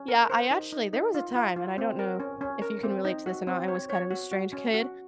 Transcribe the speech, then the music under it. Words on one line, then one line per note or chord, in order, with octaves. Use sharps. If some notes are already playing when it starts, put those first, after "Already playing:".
yeah, I actually, there was a time, and I don't know if you can relate to this or not, I was kind of a strange kid,
Already playing: C#4
A#4
C5
D#4
D#4
D#4
F4
F4
F4
C4
A#4
C#4
C#4
A#4
C4
D#4
F#4
C4
C#5
C#5
F#4
F#4
C#4
F#4